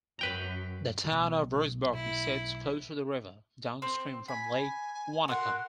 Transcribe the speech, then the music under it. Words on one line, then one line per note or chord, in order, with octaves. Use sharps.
The town of Roxburgh sits close to the river, downstream from Lake Wanaka.
F#2 B4 G5 A#5
B1 B2 A3
E4
C4
G#5 B5
F#4 A#4 F#5 C6